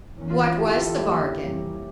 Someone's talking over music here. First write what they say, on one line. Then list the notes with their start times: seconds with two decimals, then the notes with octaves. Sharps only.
"What was the bargain?"
0.16 E2 E3 A#3 C#4
0.30 F4
0.44 F4
0.56 E2 E3 A#3 E4 G4
0.77 F4 A4
0.97 F2 D3 G3 A#3 C#4 E4 G4
1.38 F2 E3 G3 A#3 C#4